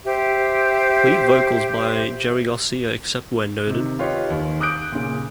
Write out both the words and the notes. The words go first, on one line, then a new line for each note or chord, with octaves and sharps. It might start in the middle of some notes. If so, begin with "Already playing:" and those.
Lead vocals by Jerry Garcia, except where noted.
G4 C5 E5
C3 D#3
D#4 F4 G4 B4 C#5
D#2
D6 D#6 F#6 G6 D7
A#2 C#3